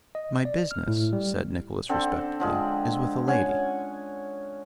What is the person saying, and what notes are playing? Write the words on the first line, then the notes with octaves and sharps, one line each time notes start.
'My business,' said Nicholas respectfully, 'is with a lady.'
D#5
D5
F6
A2
G3
D3 C4 A4
D3 F3 G#3
C#4 F#5 G#5